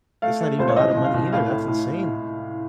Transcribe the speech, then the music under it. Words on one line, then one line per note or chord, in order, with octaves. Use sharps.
That's not even a lotta money either, that's insane.
A3 F5
A3
C#2 C5
C#5
C2 D#5
C2
F5
C2
A2 F5
A2
A2